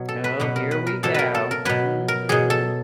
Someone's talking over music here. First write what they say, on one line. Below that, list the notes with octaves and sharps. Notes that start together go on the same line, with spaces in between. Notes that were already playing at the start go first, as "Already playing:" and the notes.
Oh, here we go. Mhm.
Already playing: B2 F#3
A4
B4
B2 F#3 B4
A#4
B4
A#4
B2 F#3 A4
A#4 B4
A4
A#4
B2 F#3 B4
A#4
B2 F#3 G#4
A4